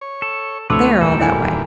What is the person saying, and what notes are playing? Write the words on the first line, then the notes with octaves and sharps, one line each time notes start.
They are all that way.
C#5
A4
D2 A3 C4 E4 B4 C#5 D6 E6
E2 A#2 G3 A4
E4 D#5 G#5
D#3